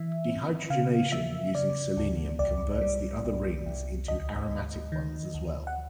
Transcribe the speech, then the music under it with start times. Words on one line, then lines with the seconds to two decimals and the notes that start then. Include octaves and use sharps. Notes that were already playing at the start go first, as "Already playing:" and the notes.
Dehydrogenation using selenium converts the other rings into aromatic ones as well.
Already playing: E3 E5
0.28 C4
0.70 C#3 F5
1.12 F3 E5
1.55 C#3 D5
1.97 D2
2.39 C2 D5
2.81 G3
3.24 C2
3.66 C2
4.08 D2 D#5
4.50 D2
4.92 D#3
5.34 D2
5.67 F#5